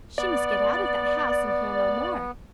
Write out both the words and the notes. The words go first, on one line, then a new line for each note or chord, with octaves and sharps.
She must get out of that house and hear no more.
B3 D5